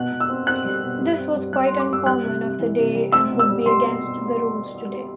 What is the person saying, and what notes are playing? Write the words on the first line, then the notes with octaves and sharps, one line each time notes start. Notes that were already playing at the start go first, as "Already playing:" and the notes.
This was quite uncommon of the day and would be against the rules today.
Already playing: B2 F#6
B2
E6
C4
C4 F#6
G3
B2
G2
C4
G2
G3 F#6
G3 C6
D6
G2 E6
G3 F#6
C3
C3
E3
C3
G3
C4 E6
B2
E6
G3
G3 C6
B2
B2